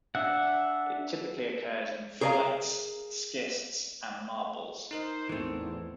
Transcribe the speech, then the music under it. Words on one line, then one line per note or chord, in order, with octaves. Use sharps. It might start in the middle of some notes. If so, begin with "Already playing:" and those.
It typically occurs in phyllites, schists and marbles.
D4 E5 F#5
G#4 A#4 C#5 E5 F5 A#5
D#4 A#4 C5 D#5
A1 E2 E3 A3 C4